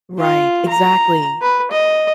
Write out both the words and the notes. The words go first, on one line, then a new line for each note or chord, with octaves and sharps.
Right, exactly,
F4
A#5
B4
D#5